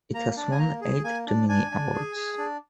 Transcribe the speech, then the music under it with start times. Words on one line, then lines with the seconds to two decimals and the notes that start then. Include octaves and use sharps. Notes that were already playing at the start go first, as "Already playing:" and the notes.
It has won eight Gemini Awards.
0.14 A#3 A#5
0.37 D4
0.51 G#5
0.59 A#3 A#5
0.81 G#4
1.04 A#3 G#5
1.27 D4
1.49 D4 G#5
1.71 D4
1.94 G#4
2.16 G#4
2.38 D4